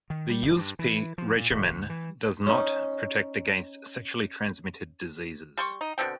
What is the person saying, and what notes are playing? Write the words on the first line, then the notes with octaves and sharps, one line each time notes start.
The Yuzpe Regimen does not protect against sexually transmitted diseases.
D#3
G3
G1
G2
E3
F3
A#2
D#1
D2
E3
C#4 D#4
G3 C6 C#6
D#4
B2 D3 C4 G5